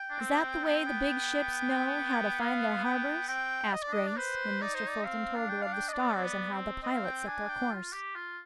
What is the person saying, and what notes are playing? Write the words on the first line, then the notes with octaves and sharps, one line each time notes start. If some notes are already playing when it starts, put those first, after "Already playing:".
"Is that the way the big ships know how to find their harbors?" asked Grace, when Mr. Fulton told her of the stars, and how the pilots set their course.
Already playing: G5
D4
C4
B3
C4
B3
F5
G5
C4 G5
D#5
D4 D5
D#5
D5
B4 C5
D#4 D5
C5
D5
C4 F5
D4
G5
D4 F5
G5
D#5
D4 D5
C4
B3
C4
B3
C4
C4 D#5
F5
G5
D4 G#5
G5
F4
G4
F4